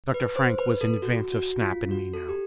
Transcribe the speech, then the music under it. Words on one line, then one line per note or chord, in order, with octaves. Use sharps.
Dr. Frank was in advance of Snap and me now.
B4
C5
B4
A4
F#4
F#4
F4
F#4
A4
G4